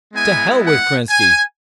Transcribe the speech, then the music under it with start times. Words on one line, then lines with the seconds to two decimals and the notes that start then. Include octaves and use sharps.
To hell with Kerensky!
0.13 G#3 B3 E4 G#5
0.61 F#5
1.09 G#5